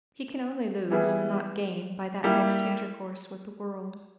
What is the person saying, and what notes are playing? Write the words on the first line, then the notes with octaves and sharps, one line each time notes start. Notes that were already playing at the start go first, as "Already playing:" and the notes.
He can only lose, not gain, by that mixed intercourse with the world.
E3 G3 B3 E4 G#4
G3 A#3 E4 G4